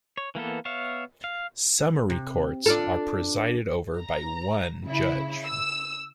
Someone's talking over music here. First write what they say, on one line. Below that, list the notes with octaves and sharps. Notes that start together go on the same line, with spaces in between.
Summary Courts are presided over by one judge.
C#5
E3 A#3 B3 A4
B3 C#5 E5 F5
F5
C3
D4 F4 A4
A#5
C#3 E4
E6